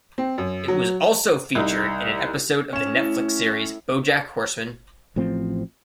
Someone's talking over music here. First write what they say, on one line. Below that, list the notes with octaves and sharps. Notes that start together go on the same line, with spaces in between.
It was also featured in an episode of the Netflix series "BoJack Horseman".
C4
F#2
F#3
C2 D#4
C#4 E7
A2
A1 A2 F3 C4